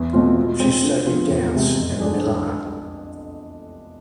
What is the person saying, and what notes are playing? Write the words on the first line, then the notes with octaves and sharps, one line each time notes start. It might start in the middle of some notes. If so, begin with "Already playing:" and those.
She studied dance in Milan.
Already playing: E2
B2 A3 C4 F4
B2
G#3 C4 F4
D3
F3 B3 F4 G#4
E2
C3 G#3
F2
D3 G#3 D4 G#4